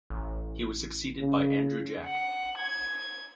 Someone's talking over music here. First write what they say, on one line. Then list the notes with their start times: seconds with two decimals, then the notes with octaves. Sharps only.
He was succeeded by Andrew Jack.
0.10 A1
1.20 C#3
2.04 F#5
2.56 G#6